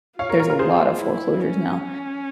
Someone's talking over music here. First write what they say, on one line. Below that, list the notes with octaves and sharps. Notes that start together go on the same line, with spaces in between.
there's a lot of foreclosures now,
F4 C#5 F5
A#4 C#5
A#4 C#5
A#4
G#4 C5
E4
C#4